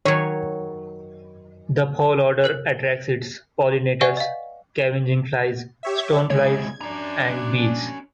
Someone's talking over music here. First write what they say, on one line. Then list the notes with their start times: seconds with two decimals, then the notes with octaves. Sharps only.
The foul odor attracts its pollinators, scavenging flies, stoneflies, and bees.
0.05 D#3 F#3 C#5
2.44 A#4 F#6 F#7
4.01 B4 D5 E5 F#5 G#5 C#6
4.17 D#5 F5
5.83 G4 C#5 E5
6.30 C3 G#3 C#5 G#6
6.81 C#4 D4 A#5